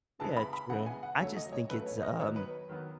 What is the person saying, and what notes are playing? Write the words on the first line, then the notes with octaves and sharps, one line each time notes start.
Yeah, true. I just think it's, um,
C#3 E3 G#3 B3 A5
B5
B5
C#3 E3 G#3 B3 F#5
G#5
F#5
C#3 F#3 A3 C#5
D#5
C#5
C#3 F#3 A3 B4
C#5
D#5
D#3 F#3 B3 C#5
B4
D#3 F#3 B3